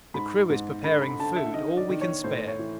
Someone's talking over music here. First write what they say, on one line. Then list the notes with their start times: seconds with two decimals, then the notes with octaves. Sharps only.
The crew is preparing food, all we can spare.
0.14 G#2 B5
0.50 G#2
0.84 D3 B5
1.02 B5
1.19 D3 A5
1.36 E5
1.54 D#3 D#5
1.77 D5
1.89 D#3
2.01 C#5
2.24 A2 C5
2.48 C#5
2.59 E3